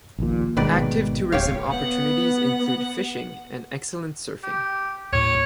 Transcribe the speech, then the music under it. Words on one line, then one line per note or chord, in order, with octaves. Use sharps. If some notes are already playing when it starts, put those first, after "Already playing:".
Active tourism opportunities include fishing and excellent surfing.
A#1 D#2 A#2
G#1 B2 D#3 G#3 B4 D5
D1 G4 C#5 F5
B3 F#5
G4
D#2 A2 C#5